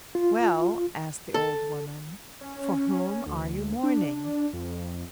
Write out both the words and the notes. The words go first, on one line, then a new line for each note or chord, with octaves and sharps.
"Well," asked the old woman, "for whom are you mourning?"
F4
A4
C#4
D2
D4
F2